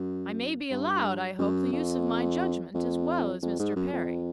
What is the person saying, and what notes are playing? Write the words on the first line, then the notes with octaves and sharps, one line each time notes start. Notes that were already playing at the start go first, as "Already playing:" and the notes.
I may be allowed, I hope, the use of my judgment as well as Mr. Perry.
Already playing: F#2
G2
F#2
F2
F2
F2
G#2
F#2
F2